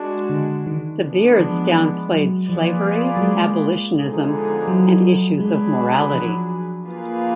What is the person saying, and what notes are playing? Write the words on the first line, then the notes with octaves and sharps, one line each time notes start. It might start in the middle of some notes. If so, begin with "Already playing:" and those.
The Beards downplayed slavery, abolitionism, and issues of morality.
Already playing: G#3 D4 F#4
D3
D#3
G#3 B3 D4
F3
F#3
F3 A#3 F4 G#4 B4 D5
F#3
G#3
D3 F3 B3 D#4 G#4
F#3
F#3 G#3 D4 G#4 B4
F3
A#3 F4 G#4 B4